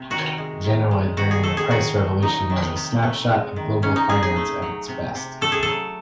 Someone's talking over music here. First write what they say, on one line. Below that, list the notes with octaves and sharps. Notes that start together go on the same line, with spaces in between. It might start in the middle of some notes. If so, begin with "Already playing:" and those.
Genoa during the price revolution was a snapshot of global finance at its best.
Already playing: C3
D#3 F#4
G#3
D#3
G#3
D#3 F#4
G#4
A3 A4
G#4
D#3 F#4
A3
F#3 D#4
D#3
C3
A3
G#3
D#3
C3 C#4
D#4
C3 G#4
G#4
A3
F#3
C3
C3
A3 A4
G#4
F#3 A4